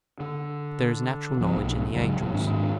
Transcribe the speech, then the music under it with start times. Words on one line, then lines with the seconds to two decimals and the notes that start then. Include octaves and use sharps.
But there is natural knowledge in the angels.
0.20 D3
1.39 C#2 F3 A#3 C4
1.56 B1 A#2
1.93 F#1 C#2 F#3
2.18 D#1 A2 C3
2.33 G#2 D#3 C4 D4